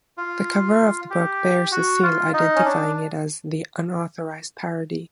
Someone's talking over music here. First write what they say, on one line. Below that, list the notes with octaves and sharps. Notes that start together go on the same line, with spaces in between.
The cover of the book bears a seal identifying it as The Unauthorized Parody.
F4
G4
F#4
F4
D#4
C#4
D4